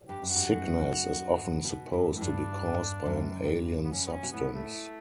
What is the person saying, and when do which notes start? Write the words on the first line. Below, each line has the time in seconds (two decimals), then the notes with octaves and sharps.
Sickness is often supposed to be caused by an alien substance.
0.08 G2 G4
0.22 F#2
0.30 F#4
0.36 G2
0.51 F#2
1.36 G2
1.64 B2
1.93 G2
2.16 A2
2.20 G2 D4
3.06 F#2
3.44 A2
3.49 G2
3.84 B3
3.91 F#2 C#4
4.07 B3
4.12 C#4
4.23 B2
4.33 A2 B3
4.54 A3